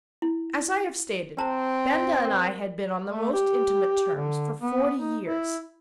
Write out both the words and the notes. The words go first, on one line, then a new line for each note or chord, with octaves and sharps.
As I have stated, Benda and I had been on the most intimate terms for forty years.
E4
C4 C5 A5 A#5
A#4
A3
G4
D3
B3
D#4
E4